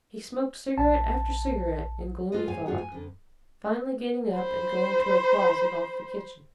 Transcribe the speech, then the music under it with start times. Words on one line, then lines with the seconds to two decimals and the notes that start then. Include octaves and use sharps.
He smoked cigarette after cigarette in gloomy thought, finally getting up and going to a closet off the kitchen.
0.78 A#1 A5
2.32 F4 F#4 G#4 A4 B4 D#5
2.48 G#2 G3 C#5 F5 G#5
2.66 G#2 C3 F4 F#4 G#4
2.78 G#5
2.92 F2 D3
4.35 C5 B5